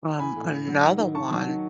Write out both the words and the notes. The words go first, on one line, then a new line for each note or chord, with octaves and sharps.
um, another one
E3 G#5 B5
A2
A2
F#3
D#3
D#3
D#3 A5 C#6
F#3
D#3